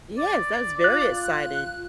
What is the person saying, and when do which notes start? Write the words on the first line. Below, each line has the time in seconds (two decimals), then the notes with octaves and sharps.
Yes, that was very exciting,
0.18 D5
0.84 F4 F#6